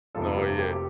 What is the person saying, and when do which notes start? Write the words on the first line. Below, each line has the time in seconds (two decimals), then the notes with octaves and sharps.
No, yeah.
0.15 F1 F2 C3 F3 A#3 F4 A4
0.36 G4
0.59 G4
0.71 G4